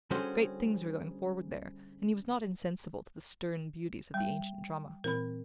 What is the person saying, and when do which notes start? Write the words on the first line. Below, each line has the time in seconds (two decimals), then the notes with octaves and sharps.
Great things were going forward there, and he was not insensible to the stern beauties of the ancient drama.
0.10 D3 G3 C#4 F#4 G#4 C5
4.14 G3 G5
5.04 A#2 E3 C4 A#4 B5